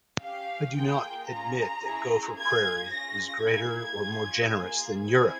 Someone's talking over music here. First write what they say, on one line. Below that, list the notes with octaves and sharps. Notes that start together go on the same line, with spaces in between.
I do not admit that Gopher Prairie is greater or more generous than Europe!
C#4 G4 F5
A#3 F4 G#4 G5
C#4 F4 G#4 A#5
C#4 E4 G#4
A#3 F4 G#4 G#6
C#4 F4 G#4 A#6
A#3 E4 G#4 G#6
C#4 F4 G#4
A#3 F4 G#4
C4 E4 G#4 G#6